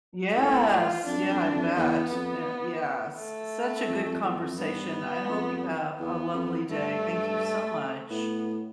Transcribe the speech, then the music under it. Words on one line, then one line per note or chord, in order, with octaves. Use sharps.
Yes, yeah, I bet, an yes, such a good conversation, I hope you have a lovely day, thank you so much.
A2 A4
F4
F2 D4
G2
F2
G2
F2
E2 B3
F2
A3
F2
F2
E2
F2
G2 B3
F2
E2 B3
F2
G2 A3
A2 B3